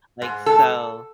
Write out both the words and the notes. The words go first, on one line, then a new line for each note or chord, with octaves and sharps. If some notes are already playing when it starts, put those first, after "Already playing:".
Like, so
G#2
A4